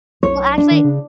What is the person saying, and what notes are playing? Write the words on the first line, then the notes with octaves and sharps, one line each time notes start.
Well, actually
B1 C#5
D4
D#3
C#3